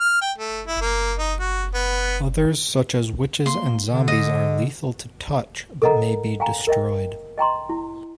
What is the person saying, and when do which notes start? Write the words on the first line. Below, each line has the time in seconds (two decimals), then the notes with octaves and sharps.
Others such as witches and zombies are lethal to touch but may be destroyed.
0.01 F6
0.22 G5
0.38 A3
0.67 E4
0.81 A#3
1.18 D#4
1.40 F#4
1.74 B3
3.46 A#3 C6
3.91 D3
4.08 D#5
5.82 A4 A#4 D#5 F#5 A#5
6.40 F5 G5 G#5 A#5
6.67 A#4 D#5 E5 G5
7.38 D#5 G5 A#5 C6
7.69 E4